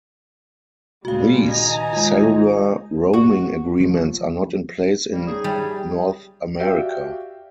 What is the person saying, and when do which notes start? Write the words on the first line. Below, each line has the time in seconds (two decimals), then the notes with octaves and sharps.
These cellular roaming agreements are not in place in North America.
1.05 A#2 C#3 G3 G#3 F#4 F5
1.48 D#3 D#4 G#5 A#5
1.93 G#3 F4
3.13 F#4
3.80 F3
5.12 G3 A#3
5.27 C#4 D#4 G#4
5.44 G3
6.60 F#4 G4 D5 E5 F5 G5